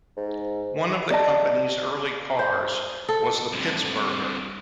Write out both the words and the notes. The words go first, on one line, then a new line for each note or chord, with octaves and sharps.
One of the company's early cars was the Pittsburgher.
G#2
D5 D#5 A5
C5
A4
C2 D3